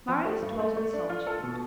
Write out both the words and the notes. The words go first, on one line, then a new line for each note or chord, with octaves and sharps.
Marius dwelt in solitude.
F3
A3
G2
A3
A3
D4
F4
A4
B2